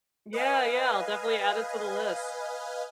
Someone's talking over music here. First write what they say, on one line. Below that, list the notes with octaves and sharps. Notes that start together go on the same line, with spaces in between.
Yeah, yeah, I'll definitely add it to the list.
B4 D#5 F5 G#5